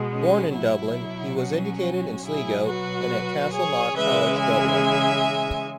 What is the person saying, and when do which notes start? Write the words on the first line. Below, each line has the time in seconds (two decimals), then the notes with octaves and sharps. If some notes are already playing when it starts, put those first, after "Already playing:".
Born in Dublin, he was educated in Sligo and at Castleknock College, Dublin.
Already playing: B2 G#3
0.12 C#4
0.54 B2 F#3 E4
1.39 C#4 F#4
2.24 B2 F#3 E4 G#4
2.67 F#4 B4
3.52 G#4 C#5
3.95 C#3 E3 G#3 B4 E5
4.38 E5 G#5